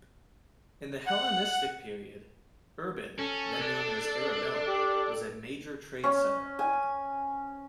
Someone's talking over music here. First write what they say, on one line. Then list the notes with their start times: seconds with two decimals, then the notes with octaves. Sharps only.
In the Hellenistic period, Irbid, then known as Arabella was a major trade center.
1.07 F#5
3.18 C#4 A4
3.60 D4
4.67 G4
6.04 C#4
6.59 G#5